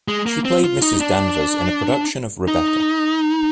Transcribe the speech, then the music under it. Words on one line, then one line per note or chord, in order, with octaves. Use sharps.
She played Mrs Danvers in a production of "Rebecca".
G#3
A#3
C4
F4
D#4
D4
D#4